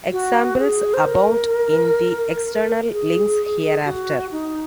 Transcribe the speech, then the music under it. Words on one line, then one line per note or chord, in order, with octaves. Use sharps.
Examples abound in the "External Links" hereafter.
F#4
G#4
C5
A#4
G#4
F#4
D#4